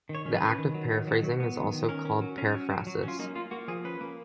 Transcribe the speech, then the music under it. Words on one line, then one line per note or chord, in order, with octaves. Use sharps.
The act of paraphrasing is also called "paraphrasis".
D#3
C#5
C#4
B4
C#4
D#3
F#3
D#3
F#3
F#3
B3
D#3
D#3
C#4 A#4
C#4
F#3
C#4
F#3
F#3
F#3
C#4
F4
A#3 D#4
A#3 F4
A#3 F#4
F3 G#4
C#4 B4
A#3